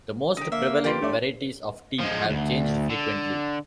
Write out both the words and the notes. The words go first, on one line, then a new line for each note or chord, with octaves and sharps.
The most prevalent varieties of tea have changed frequently.
D3 D#4 G4
A#3 E5
D#3 F3 F4 G4 B4
A3 D4 C#5 D5
F3 G#3
D2
D3